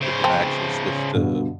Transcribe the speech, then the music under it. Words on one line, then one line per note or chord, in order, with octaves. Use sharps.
but then I actually switched to,
C#3 C5
C4 A5
G2 B2 D3